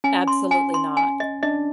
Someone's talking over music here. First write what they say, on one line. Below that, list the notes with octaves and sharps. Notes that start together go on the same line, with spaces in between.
Absolutely not.
C#4 G#5
C6
G#5
C6
G#5
D#5
D4 D#5